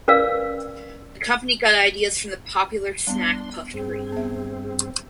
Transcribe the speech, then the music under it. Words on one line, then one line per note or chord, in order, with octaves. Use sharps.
The company got ideas from the popular snack puffed grain.
C#4 A#4 B4 D5 F5 E6
G3 B3 D4 C6
G2 C4 G#4
B3 E5